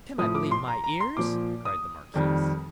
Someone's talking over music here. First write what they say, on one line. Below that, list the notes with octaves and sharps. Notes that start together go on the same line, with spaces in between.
"Can I believe my ears?" cried the marquise.
A2 F3 D#6
D6
C6
A#5
A#5
C6
A#2 F3 D6
D#6
F2 D#3 G3